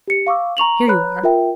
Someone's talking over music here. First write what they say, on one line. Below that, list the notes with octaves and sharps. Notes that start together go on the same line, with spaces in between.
"Here you are!"
G4 C#7
F5 C#6 D6 E6
A#5 C#6 F7 F#7
B4 C#5 A#5 B5 F#6
F4 A#4 E5 G5